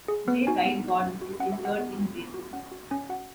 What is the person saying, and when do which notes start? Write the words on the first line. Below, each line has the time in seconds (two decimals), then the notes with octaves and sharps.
J. Wright Gordon is interred in Brazil.
0.08 G#4
0.28 B3 B4
0.47 D#4 F#4 G#5
0.65 B3 F#5
0.84 D#4 F#4
1.02 C#4
1.22 F#4
1.40 C#4 F#5
1.52 E5
1.60 F#4
1.65 F#5
1.78 B3 F#5
1.97 F#4
2.15 B3
2.34 F#4
2.53 C#4 F#5
2.72 F#4
2.91 C#4 G#5
3.09 F#4 F#5